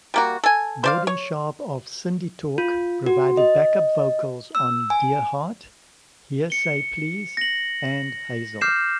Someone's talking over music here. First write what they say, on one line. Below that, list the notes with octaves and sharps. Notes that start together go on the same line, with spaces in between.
Gordon Sharp of Cindytalk provided backup vocals on "Dear Heart", "Hearsay Please", and "Hazel".
G3 A#3 F#4
A4 G#5
C5 D5 F5
C#5
F4
F#4
D#5
E6
G#5
C#7 G7
A#6 F#7
D6 F6 G6 C7 E7